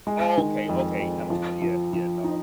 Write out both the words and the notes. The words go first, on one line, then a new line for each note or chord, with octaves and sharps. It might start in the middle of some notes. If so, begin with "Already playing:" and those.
Oh, okay, okay. Animal Cro yeah, yeah, no.
G#3
D#3
F2
F2
F3
F3
F3
D#4